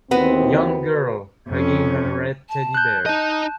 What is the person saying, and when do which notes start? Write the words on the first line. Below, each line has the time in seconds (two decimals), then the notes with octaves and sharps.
Young girl hugging her red teddy bear.
0.11 D#2 E3 B3 C4 F#4 B4
1.48 F2 C#4
2.49 A5
2.74 F#6 G6
3.06 D#4 D#5 A5